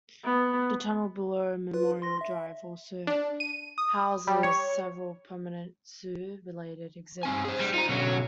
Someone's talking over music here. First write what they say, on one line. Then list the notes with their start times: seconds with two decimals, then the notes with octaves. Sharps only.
The tunnel below Memorial Drive also houses several permanent zoo-related exhibits.
0.25 B3
1.74 F4 B4
2.02 C6 A#6
2.21 E5
3.07 D4
3.40 D#7
3.78 D#6
4.27 G3
4.43 C#5
7.23 G2 C4 G#5
7.45 G#4 C5
7.60 G3
7.74 D#4 F4 A#5
7.89 B2 D3 F#3 C#4